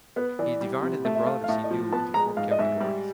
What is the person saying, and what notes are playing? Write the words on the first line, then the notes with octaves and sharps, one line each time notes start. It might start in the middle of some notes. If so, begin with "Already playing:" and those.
He divided the Brothers he knew into four categories.
B3 B4
E3 D5
G3
C3
A3 E5
E5
A3 F5
F5
A2 E5
D#5
F3
B3 A5
G#3 A#5
G#2 F5
D#5
G#2 E5
G3